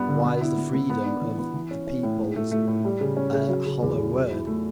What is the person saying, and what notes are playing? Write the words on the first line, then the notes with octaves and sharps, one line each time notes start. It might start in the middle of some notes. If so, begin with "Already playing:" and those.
Why is the freedom of the peoples a "hollow word"?
Already playing: G2 G3 B3 D4
D3
B3
E4
B3
B3
B3
D4
E3
B3
E3
C#4
C#4
A2
A2
A3
A3
A2
G3
C#3
C#4
C#3
F#3
C#3
E2
E2
F#3
E4
A3